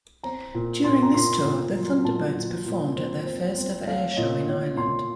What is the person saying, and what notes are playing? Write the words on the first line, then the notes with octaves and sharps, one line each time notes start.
During this tour, the Thunderbirds performed at their first-ever air show in Ireland.
C4 A#5
A#2
A#2 C6
A#5
A#2 C6
A#2
F#3
A#2 A5
A#2
A#2
C4
C4
C4
A3 F5
C#5
A#2 D#5
A#2 C#5
A#2 C6